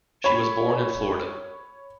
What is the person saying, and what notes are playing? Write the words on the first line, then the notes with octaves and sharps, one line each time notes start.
She was born in Florida.
C#5 B5